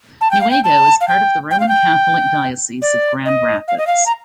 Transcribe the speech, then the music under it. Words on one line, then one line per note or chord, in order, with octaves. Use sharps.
Newaygo is part of the Roman Catholic Diocese of Grand Rapids.
A5
G5
F5
G5
A5
F5
G5
G5
F5
G5
D5
D#5
F5
D#5
F5
A#5